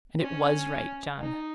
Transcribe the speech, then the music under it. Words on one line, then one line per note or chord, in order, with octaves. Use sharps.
And it WAS right, John!
C#4
D#4